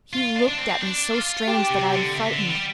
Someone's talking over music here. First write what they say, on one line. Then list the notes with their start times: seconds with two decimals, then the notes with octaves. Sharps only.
He looked at me so strange that I am frightened.
0.13 F4
0.36 D4
0.48 D4
0.58 C4
0.81 D4
1.14 F4
1.47 D4 G4
1.70 C3
1.92 D3
2.15 C3
2.31 D3
2.48 G3